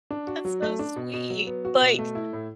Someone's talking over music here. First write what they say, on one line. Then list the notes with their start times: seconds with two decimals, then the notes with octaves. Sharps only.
That's so sweet like,
0.11 D4
0.27 F#4
0.45 F#3
0.62 A3
0.79 D4
0.96 B2
1.13 B2
1.30 F#3
1.47 B3
1.65 F#4
1.81 B2
1.99 A3
2.15 E4
2.33 A2